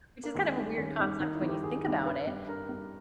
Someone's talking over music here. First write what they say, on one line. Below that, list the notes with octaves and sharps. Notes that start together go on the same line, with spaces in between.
which is kind of a weird concept when you think about it.
A#3
D#2 G#3
D#3 G3
D#2 C#4
D#3 G3
D#2 D#4
E4
D#3 G3
G4
D#2 G#4
D#3 G3
G2 B4
G3
G2 A#4
G3